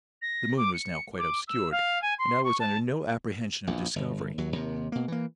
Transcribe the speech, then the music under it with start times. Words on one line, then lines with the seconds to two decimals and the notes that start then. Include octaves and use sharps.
The moon was now quite obscured, and I was under no apprehension of discovery.
0.22 A#6
0.57 D6
0.74 C#7
1.19 D6
1.48 E6
1.71 F5
2.02 G#5
2.19 C6
2.44 C#6
2.60 A5
3.67 A#1 E2
3.96 G1
4.38 D#2 F#3
4.52 D#2 C3
4.92 B2 A#3
5.08 E3 A#3